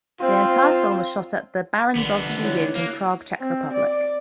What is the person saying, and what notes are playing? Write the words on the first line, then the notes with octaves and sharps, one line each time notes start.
The entire film was shot at the Barrandov Studios in Prague, Czech Republic.
C4 F4 C5
A1 D3 D#3 B3
D#3 A3
E4 C#5 F#6
A#3
C4
D5